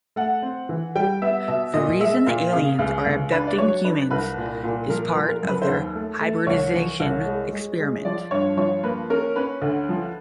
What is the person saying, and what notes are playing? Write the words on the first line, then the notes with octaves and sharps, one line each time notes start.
The reason the aliens are abducting humans is part of their hybridization experiment.
A3 F#5
C4
E3
G3 G5
B3 E5
B2 E5
A#2 D#5
G#3 E5
A#2 F5
C#3 F5
C#2
C#2
D4 B4
D5
F#3 C#5
D4 B4
C2 B4
A#2
A#2
F3 A#4
B4
F3
A#4
F#2
B4
C5
D#2 B4
A3
A3
C2 C#5
E3
C2
G#3
G#3
G#3
F3 D5
G2 C#5
F3 C#5
A#3 B4
C#4 A#4
C#4 B4
D2
F3